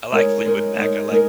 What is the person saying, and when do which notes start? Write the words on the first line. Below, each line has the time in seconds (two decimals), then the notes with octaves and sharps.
I like Fleetwood Mac, I like
0.12 G#3 D#4 A#4 C#5
0.46 G#3 D#4 A#4 C#5
0.78 G#3 D#4 A#4 C#5
1.11 G#3 D#4 A#4